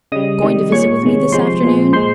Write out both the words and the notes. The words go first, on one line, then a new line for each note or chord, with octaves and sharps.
Going to visit with me this afternoon?
C#3 G3 D#5 D#6
C3 D#3 G3
A#2 G#3 C#5 C#6
C3 D#3 G#3
C3 F3 G#3 C5 C6
A#2 F3 G#3
A#2 G#3 C5 C6